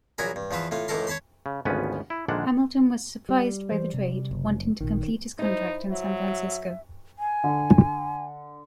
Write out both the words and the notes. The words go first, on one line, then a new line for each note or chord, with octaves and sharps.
Hamilton was surprised by the trade, wanting to complete his contract in San Francisco.
A#1 F#3 F#4 G#4 A#4 B5
G2
E2 F3 F4 B4 E5
A2 A3 F4
C#2 A2 A3 A4 A#4 C6
C#5 A5 B5 C6
C#3
G#1 D2 F3 B3 C#4 B4
E4
A#1 D3 D#3 G#3 D4 F#5
G3
E3 C5
C3
F#1
A1 A#2 D#3
D#4 E4 C5
F#3 E5
G#5
D3